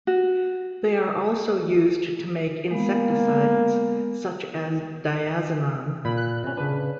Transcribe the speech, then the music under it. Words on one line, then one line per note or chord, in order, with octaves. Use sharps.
They are also used to make insecticides such as diazinon.
F#4
G#3 A#3 B3
A#2 B5
F#6
C3 C#4
C#3 D4 B4